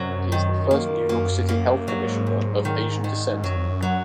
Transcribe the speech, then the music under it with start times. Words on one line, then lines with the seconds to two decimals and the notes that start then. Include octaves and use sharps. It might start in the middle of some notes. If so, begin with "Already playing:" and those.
He is the first New York City Health Commissioner of Asian descent.
Already playing: F#2 C3 F#3
0.32 D#3
0.71 A#3
1.09 A#3
1.49 A#3
1.88 G#2 F#3
1.97 F#2
2.06 G#2
2.27 C3
2.65 D#3
3.04 D#3
3.44 F#2 F#3
3.56 F2
3.69 F#2
3.82 F#3